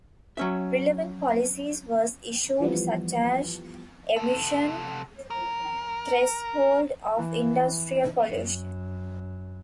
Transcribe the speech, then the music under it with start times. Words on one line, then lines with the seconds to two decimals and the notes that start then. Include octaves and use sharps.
Relevant policies was issued such as emission threshold of industrial pollution.
0.37 F#3 C#4 E5
2.60 E3 F3 G3 B3
4.16 C3 A4
5.30 A#4
7.16 E3
8.28 F#2